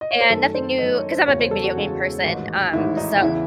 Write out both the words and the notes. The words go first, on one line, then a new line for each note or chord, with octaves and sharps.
and nothing new 'cause I'm a big video game person, um, so
D#5
C#5
C5
F#2 D#3 A3 A4
C5
F#2 D#3 A3 D#5
C#5
C5
E1 E2 C#3 G#3 C#5
C5
A4
F#4
E1 E2 C#3 G#3
A1 G#2 D#3
A1 G#2 D#3 E4
D#4
E2 C#3 E3 E4